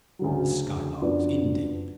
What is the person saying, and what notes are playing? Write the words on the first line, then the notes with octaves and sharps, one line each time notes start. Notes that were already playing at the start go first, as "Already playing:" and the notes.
The Skylarks, indeed!
D2 C#3 F#3
F#2 F3 B3 D4